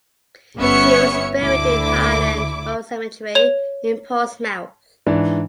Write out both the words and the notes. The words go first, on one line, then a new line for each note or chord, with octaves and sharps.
She was buried in Highland Road Cemetery in Portsmouth.
G1 B3 C#4 C#5 E5 C#7
D2 D3 E4 D6
C#5 F7
G#2 E3 D4